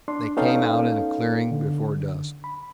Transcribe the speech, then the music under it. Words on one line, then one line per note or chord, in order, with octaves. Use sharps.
They came out in a clearing, before dusk.
D4 C6
B3 C#4 D#4 A4 F5 G5
D3
B5